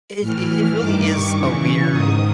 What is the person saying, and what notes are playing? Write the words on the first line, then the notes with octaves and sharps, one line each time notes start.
it i it really is a weird
A2 E3 F6
G2 D#3 D6
C#6
E2 C#3 E3
C#6
G#2 D#3 D#6